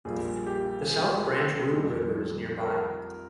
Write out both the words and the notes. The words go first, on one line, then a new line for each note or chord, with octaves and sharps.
The South Branch Root River is nearby.
A#1 A#2 G3 G#4
G4
G#4
F2 D#3 G3
A#4